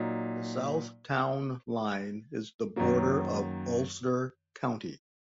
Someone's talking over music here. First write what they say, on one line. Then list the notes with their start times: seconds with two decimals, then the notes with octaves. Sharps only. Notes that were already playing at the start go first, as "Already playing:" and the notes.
The south town line is the border of Ulster County.
Already playing: A#2 F#3 D#4
2.76 F#2 D#3 F#3 A#3